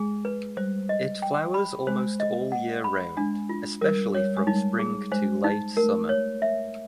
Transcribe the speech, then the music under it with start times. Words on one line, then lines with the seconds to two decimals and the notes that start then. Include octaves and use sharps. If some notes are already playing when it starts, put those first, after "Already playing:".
It flowers almost all year round, especially from spring to late summer.
Already playing: G#3 G#4
0.25 B4
0.57 G3 C5
0.89 D#5
1.22 G5
1.54 B5
1.87 G#3 C5
2.20 D#5
2.52 F#5
2.84 B5
3.17 G#3 D4
3.49 F4
3.81 G3 A#4
4.14 G3 C#5
4.37 G#3
4.47 G3 D#4
4.79 G#4
5.11 G#3 C5
5.44 D#4
5.77 A3 A#4
6.09 C#5
6.42 E5